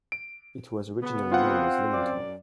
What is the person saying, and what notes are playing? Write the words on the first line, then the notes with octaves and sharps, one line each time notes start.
It was originally known as Lymington.
D7
C#3 B3
C4 F4 F5 F#5
F#2 D5